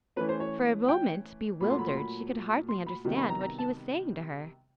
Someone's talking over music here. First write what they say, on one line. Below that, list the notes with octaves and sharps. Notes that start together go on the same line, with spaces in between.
For a moment, bewildered, she could hardly understand what he was saying to her.
E3 A3 C#4 B4
C5
C#5
G5
A#2 F#3 A3 B5
C6
B5
C6
B5
C6
B5
C3 D#3 G3 B3
B5
A#5
A#5
A5